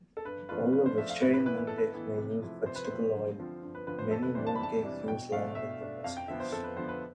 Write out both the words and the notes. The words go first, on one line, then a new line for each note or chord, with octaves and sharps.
Although vegetarian mooncakes may use vegetable oil, many mooncakes use lard in their recipes.
A4
G2 B4
F3 A3 D4 F4 B4
G2 B4
C5
F3 A3 D4 F4 E5
F5
A2 B4
B4
E3 B3 E4 B4
B4
A2 A4
B4
E3 B3 E4
C3
F3 A3 E4
C3 C5
B4
C5
F3 A3 E4
G2
D3 F3 C4 F4
G2
B4
D3 F3 C4 F4 B4
C5
F2 A4
B4
C3 E3 G3 D4 C5
A5
B5
F2 A5
C3 E3 G3 D4
B2 G5
A3 D4 F5
B2 E5
A3 D4
F2 F5
G5
D3 F3 B3 E5
C5
F2 A4
B4
D3 F3 B3 C5
B4